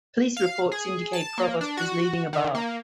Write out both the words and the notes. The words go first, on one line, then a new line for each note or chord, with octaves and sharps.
Police reports indicate Provost was leaving a bar.
F5
G#4
A5
A#3
D4
F#4
D#3
A#3